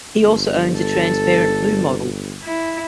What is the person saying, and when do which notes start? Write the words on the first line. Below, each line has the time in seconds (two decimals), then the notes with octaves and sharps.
He also owns a transparent blue model.
0.18 G1
0.78 A4
2.44 E4